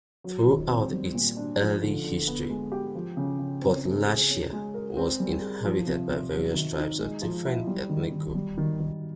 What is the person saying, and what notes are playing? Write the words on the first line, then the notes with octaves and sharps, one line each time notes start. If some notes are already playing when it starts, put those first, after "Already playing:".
Throughout its early history, Podlachia was inhabited by various tribes of different ethnic roots.
F#3
D#3
C4
G3
A#2
D4
F3
D3
D3
B3
G#3
G4
F3
C#3
C#3
C4
A3
G#4
C#4
G#3
A#4
C4
G3
G#4
F3
C3
C3
F#3
D#3
D#4
G#3
F3
E4
G3
D#3
D#3
G3
D#3
D#3